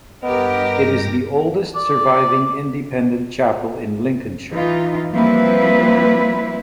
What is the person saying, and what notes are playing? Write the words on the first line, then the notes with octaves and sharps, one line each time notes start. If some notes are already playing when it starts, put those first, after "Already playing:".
It is the oldest surviving Independent chapel in Lincolnshire.
G2 B3 G4 A#4 D#5 A#6
D5
E3 D#4 F4
F3 G3 A#3 C4 E4 B4